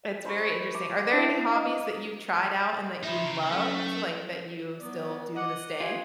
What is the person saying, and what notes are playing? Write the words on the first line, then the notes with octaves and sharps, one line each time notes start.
It's very interesting. Are there any hobbies that you've tried out and that you've loved, like, that you still do to this day?
C5 B5 C#6
D6
D4 E4
D#5 F5
F3 D#4 E5 B5
C#3 A#5
F#3 A3 C#4 A4
F#3 B3 D5
D#5 F#5 D6
F4 G4 C#5 G#5